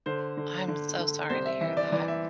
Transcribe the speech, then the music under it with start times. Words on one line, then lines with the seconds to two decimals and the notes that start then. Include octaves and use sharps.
I'm so sorry to hear that.
0.06 D3 C5
0.37 D3
0.68 D3
0.99 D3
1.30 C2 C5
1.45 E5
1.61 E3 E5
1.77 D5
1.92 E3 D5
2.08 E5